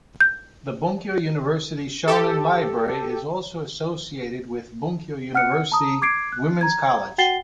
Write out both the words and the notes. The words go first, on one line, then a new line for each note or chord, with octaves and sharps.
The Bunkyo University Shonan library is also associated with Bunkyo University Women's College.
G6
G4 A4
F#5 F6 F#6 C#7
A5 A#5 D#6
D6 G#6 C7 D7
F#6
A#5 G#6
F#4 F#5 G5 A6 C7 G7